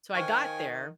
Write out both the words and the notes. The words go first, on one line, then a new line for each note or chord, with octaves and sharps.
So I got there,
D#3 C5 F5 G5 G#5 C#6 F6